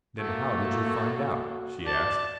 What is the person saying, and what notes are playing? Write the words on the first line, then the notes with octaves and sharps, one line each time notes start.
"Then how did you find out?" she asked.
A3 A#3 F#4 A4
D5 A5